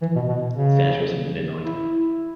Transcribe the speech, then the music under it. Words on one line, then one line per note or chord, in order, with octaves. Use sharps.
Senators from Illinois.
E3
B2
B2
C#3
E4